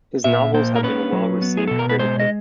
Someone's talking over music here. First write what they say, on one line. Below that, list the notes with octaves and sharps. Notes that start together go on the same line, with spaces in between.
His novels have been well-received critically.
A#2 E5
A#3 C5
A#4
C#4 B4
F#3
B3
G#4
B2 A4
A#4
B4
G#3 C5
D#5